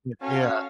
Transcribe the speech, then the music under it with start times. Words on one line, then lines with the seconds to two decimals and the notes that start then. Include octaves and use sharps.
Y yeah,
0.21 C#4 F#4 A4 C#5 F5 A5